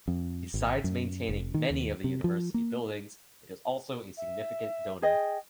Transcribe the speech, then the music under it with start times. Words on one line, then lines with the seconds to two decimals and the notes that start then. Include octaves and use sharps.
Besides maintaining many of the university buildings, it is also a significant donor.
0.08 F2
0.54 G#1
0.84 F#2
1.29 F1
1.54 D#3
1.70 D#2
2.04 C3
2.24 F3
2.54 A#3
4.17 E5
5.02 G#4 D#5 G5